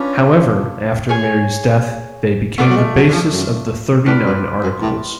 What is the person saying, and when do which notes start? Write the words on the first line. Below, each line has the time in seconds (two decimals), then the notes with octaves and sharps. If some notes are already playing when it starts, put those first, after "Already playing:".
However, after Mary's death, they became the basis of the Thirty-nine Articles.
Already playing: C#4 D4 F4 B4
1.09 G#4 C#5 G#5
2.58 A3 B3 F4 A4 D5
2.69 F#3
2.76 G#3
2.96 F#3
3.08 D3
3.13 F3
3.32 F#2
4.06 A2 F4 B4 D5
4.26 F#2
4.63 F#2
4.81 A2